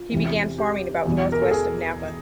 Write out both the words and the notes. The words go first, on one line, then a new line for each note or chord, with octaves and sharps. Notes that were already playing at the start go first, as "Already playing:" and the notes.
He began farming about northwest of Napa.
Already playing: F4
E2 C3 E3
G4
E2 B2
A#4
A4
G#4